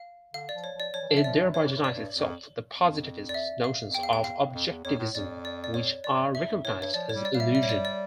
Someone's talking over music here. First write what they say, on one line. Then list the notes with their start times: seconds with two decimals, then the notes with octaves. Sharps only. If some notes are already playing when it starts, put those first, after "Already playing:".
It thereby denies itself the positivist notions of objectivism, which are recognised as illusion.
Already playing: F5
0.34 D3 F5
0.49 D5
0.55 F3
0.64 C#5
0.75 F3
0.80 D5
0.94 F3 C#5
1.02 E3
1.09 F3
1.17 E5
1.24 F3 D5
1.54 E3 C#5
1.74 G2
1.84 D5
1.94 G2
2.14 F2
2.74 F2
3.29 D5
3.34 E5
3.64 F5
3.90 F2
3.94 E2 G5
4.03 F5
4.13 G5
4.24 F5
4.54 F2
4.70 E2
4.85 F2 C#5
4.99 A2
5.15 F2 D5
5.45 D5
5.64 D5
5.74 C#5
6.04 D5
6.34 E2 E5
6.50 F2
6.64 A2 C#5
6.80 G2 C#5
6.94 F3 D5
7.09 G3 C#5
7.25 D5
7.34 G3 F5
7.40 E5
7.55 E5
7.63 C#5
7.69 D5
7.85 D5